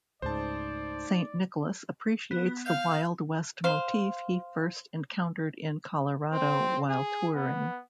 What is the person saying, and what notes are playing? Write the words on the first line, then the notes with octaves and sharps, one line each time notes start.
Saint Nicholas appreciates the wild west motif he first encountered in Colorado while touring.
C#2 G#2 A3 D#4 C5 D5 A5
B3
F5 G6
C5 F5
C4
G#4
B3